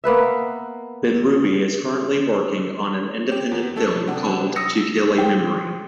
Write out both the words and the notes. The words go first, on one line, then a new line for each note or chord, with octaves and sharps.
Benrubi is currently working on an independent film called "To Kill a Memory".
A#3 B3 B4 E5
G4 C#5
E2
A3 D4 A4
C3 D4 F#5
D#6 E6 A#6 C#7
G5